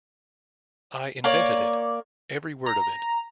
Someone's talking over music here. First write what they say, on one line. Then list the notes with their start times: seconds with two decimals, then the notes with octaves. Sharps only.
I invented it — every word of it.
1.24 A#3 C#5 D5
2.66 A#5